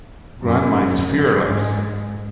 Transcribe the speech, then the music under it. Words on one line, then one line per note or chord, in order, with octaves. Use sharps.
Grandma is fearless.
F#2
G#2